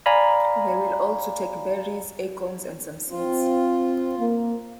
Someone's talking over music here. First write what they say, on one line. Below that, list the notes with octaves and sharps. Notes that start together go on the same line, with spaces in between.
They will also take berries, acorns, and some seeds.
D5 F5 G#5 A#5 B5
C4 F4
A#3